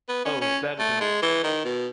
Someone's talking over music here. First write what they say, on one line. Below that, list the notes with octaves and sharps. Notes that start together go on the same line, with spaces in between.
Oh, that is an old song!
B3
C#4
C#4
A3
G#3
E3
D#3
B2